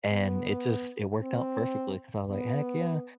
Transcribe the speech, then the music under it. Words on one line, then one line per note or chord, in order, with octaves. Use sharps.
and it just it worked out perfectly 'cause I was like, "Heck yeah."
B3
C4
B3